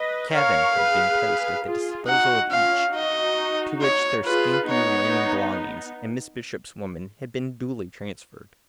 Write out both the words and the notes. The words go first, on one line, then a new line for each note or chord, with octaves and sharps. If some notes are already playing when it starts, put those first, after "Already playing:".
A cabin had been placed at the disposal of each, to which their scanty remaining belongings and Miss Bishop's woman had been duly transferred.
Already playing: B4 D#5
A#4 C#5 F5
G#4 B4
F4 G#4
D#4 F#4 F#5
C#4 F4 F5
D#4 F#4 D#5
C#5
F4 G#4 B4
B3 D#4 C#5